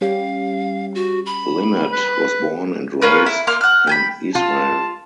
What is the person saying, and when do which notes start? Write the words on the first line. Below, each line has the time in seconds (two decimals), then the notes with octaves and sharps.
Linet was born and raised in Israel.
0.01 G3 C#4 G4 F5
0.95 F#4
1.26 B5
1.93 B4
3.01 C#4 F4 A#4 B4
3.26 E4
3.47 A#3 C6 F6
3.61 F#5 F6
3.87 G5 G#5 B5
4.35 F4 A5